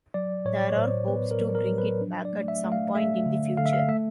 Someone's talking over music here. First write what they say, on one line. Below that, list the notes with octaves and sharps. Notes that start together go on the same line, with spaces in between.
There are hopes to bring it back at some point in the future.
F#3 D5
A2 C#5
D5
C#5
A2 C5
B3 B4
A#4
F#3
A#4
F#3
B4
D4
D5
A3
E5
A3
F5
A3 E5
D3
D3 F5
E5
F5
A3 E5